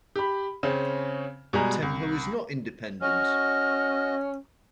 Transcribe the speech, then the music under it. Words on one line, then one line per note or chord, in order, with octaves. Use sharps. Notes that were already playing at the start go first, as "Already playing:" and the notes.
But tempo is not independent!
G4 B5
C#3 C4 C#4
B2 G3 G#3 G#5 A#5
C2
C#4 F#4 D#5 F6